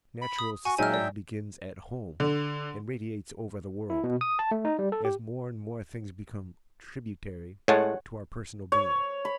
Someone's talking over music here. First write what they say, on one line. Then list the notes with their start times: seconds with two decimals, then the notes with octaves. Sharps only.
Natural society begins at home and radiates over the world, as more and more things become tributary to our personal being.
0.22 B5
0.39 D#6
0.65 F#4 G#5 C#6
0.78 F#3 G#3 D#4 E5 G5 G#5 F6
0.94 D5
2.20 D3
3.90 E4
4.04 B2
4.21 D#6
4.39 A5
4.51 A3
4.65 D#4
4.79 G3
4.92 A4
5.05 G4
7.68 A2 G#3 C#5 F#5 A5
8.72 C#5
9.25 B5